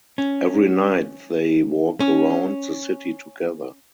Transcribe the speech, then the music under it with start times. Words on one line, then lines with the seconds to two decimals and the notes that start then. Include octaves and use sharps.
Every night they walk around the city together.
0.18 C#4
2.00 C#4